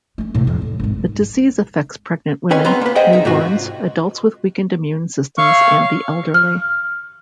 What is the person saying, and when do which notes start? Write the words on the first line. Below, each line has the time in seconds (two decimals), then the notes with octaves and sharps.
The disease affects pregnant women, newborns, adults with weakened immune systems, and the elderly.
0.18 A3 C#4
0.35 A2 C3
0.47 F2
0.62 A2
0.80 G#1 G#3
2.51 C4 C#4 B4 D#5 G#5
2.65 B3 C4 A#5 C6
2.81 A#3 B4
2.95 G#4 C5 D#5 E5 F#5 G5
3.13 D#4 E5
3.25 G#2 C3 F4 F#4
5.38 C#5 E5 F5 C#6
6.34 F6